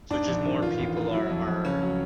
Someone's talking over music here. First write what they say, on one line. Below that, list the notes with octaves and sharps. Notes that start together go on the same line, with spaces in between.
So just more people are are
G#2 D4
A#1
D#3
A1 F4
A1
A2
F#3 E4
F2
F2
C#2 C#4
F#3